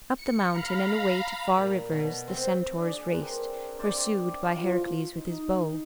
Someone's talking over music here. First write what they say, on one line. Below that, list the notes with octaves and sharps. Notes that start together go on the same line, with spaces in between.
Up the mountain and away to far rivers the centaurs raced, pursued by Heracles with his bow.
C#7
F5 A#5 B5
A#2
B2
C4
D4 G#4
C4 A#4 B4
C5 D5 E5
F3 F4
D#4